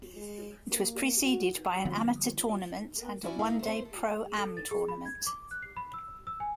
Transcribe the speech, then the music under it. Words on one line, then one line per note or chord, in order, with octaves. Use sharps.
It was preceded by an amateur tournament and a one-day pro-am tournament.
G#3
A#3
F#4
D3 F3 G3 B3
C#4 E4 F#4 D5 E5 G#5
G2 D#4 E4 A#4 F5
A3 C5
A4
A4
A6
G#4
B5
G#6
D6
F#6
C7
B5
E6
E6
G#5